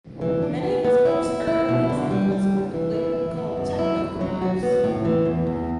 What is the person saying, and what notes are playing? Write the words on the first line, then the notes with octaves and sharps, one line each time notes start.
Many of his books are early examples of what would later be called techno-thrillers.
E3
D4
B3
B3
E4
E4
E4
B2
D3
G3
G3
D3
E3
E4
E4
B3
F#2
E4
F#2
F#3
F#4
B3
A2
E3
E2
E2